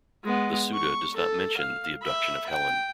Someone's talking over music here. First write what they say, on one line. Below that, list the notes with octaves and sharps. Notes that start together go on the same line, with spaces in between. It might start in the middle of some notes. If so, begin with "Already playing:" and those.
The Suda does not mention "The Abduction of Helen".
G#3 B3
C#6
A4
F5
E5 B5
G5